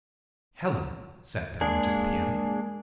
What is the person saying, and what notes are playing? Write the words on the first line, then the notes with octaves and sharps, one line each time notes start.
Helen sat down to the piano.
G#3 A#3 D4 G#4